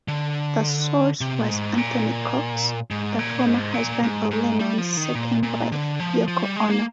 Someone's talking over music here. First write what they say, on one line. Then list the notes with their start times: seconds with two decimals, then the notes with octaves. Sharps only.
The source was Anthony Cox, the former husband of Lennon's second wife, Yoko Ono.
0.08 D3
1.21 C3
1.39 A#2
1.49 G#2
1.78 A#2
2.91 G#2
3.19 A#2
3.46 G#2
3.74 A#2
4.03 G#2
4.31 G#2
4.60 G3
4.78 F3
4.97 D#3
5.15 A#2
5.43 A#2
5.72 D3
6.00 F3
6.28 F3
6.43 G3
6.56 G#3
6.70 A#3